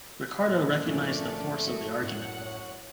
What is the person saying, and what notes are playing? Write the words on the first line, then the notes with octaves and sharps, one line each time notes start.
Ricardo recognised the force of the argument.
A#2
F2 G#2 D3 A3 C#4 D4 D5
F#4
F#2 A2 F#5 F#6
C#5